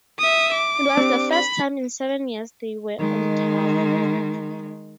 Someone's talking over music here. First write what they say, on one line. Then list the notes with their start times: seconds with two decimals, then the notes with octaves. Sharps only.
It was the first time in seven years they were on tour.
0.19 E5 D#6
0.53 D6
0.97 C4 D4 G4
1.32 B5
2.99 D#3 G#3